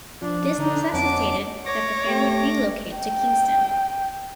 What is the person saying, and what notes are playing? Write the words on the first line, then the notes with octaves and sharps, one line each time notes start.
This necessitated that the family relocate to Kingston.
F3 D4
D3 D#4
F2 B3 C#4 D#4 A5 D6
C#5 D6 A#6
A3 G4
G5